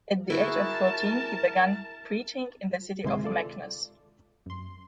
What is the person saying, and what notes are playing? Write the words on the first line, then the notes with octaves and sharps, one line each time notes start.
At the age of fourteen he began preaching in the city of Meknes.
E4 F#4 G#4 A#4 A5
G1 C3 D#3 G#3 E4 C6
F4 A4 D5
F#2 C6